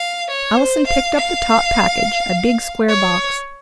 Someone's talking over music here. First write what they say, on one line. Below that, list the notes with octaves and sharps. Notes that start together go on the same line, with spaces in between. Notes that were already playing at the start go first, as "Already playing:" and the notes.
Allison picked up the top package, a big, square box.
Already playing: F5
C#5
C5
F5
F5
C#5